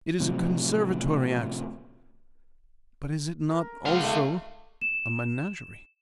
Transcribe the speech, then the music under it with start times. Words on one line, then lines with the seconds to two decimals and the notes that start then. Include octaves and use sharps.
"It is a conservatory, Axel; but is it not also a menagerie?"
0.20 A2 C3 F3 F#3
3.50 A#4
3.86 G#3 B3 F5
4.02 D#3 A3
4.81 E7